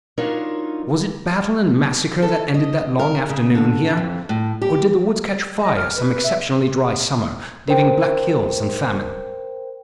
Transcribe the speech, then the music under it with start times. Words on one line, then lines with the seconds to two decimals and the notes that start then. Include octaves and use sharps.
Was it battle and massacre that ended that long afternoon here? Or did the woods catch fire some exceptionally dry summer, leaving black hills and famine?
0.18 F#3 D4 D#4 F4 A#4 C#5
2.22 A4
2.54 D#5
2.99 A#4
3.29 C#3
3.55 D3
3.97 F2
4.29 A2
4.62 G4
5.61 D#5
5.76 F6
5.96 B4
6.24 E5
7.68 A#4 C5 G5